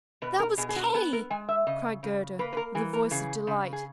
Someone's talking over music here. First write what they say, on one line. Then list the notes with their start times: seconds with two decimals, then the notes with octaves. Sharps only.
"That was Kay," cried Gerda, with a voice of delight.
0.22 B2 B4
0.40 A#4
0.58 B2 G#4
0.69 G#4
0.76 F#4
0.94 B3 G#4
1.13 A#4
1.30 G#3 G#5
1.49 E5
1.67 C#3 D#5
2.03 C#3
2.39 A#3 B4
2.53 B4
2.57 A#4
2.75 E3 G#4
2.93 A#4
3.11 C#3 G#4
3.47 C#3
3.73 G#4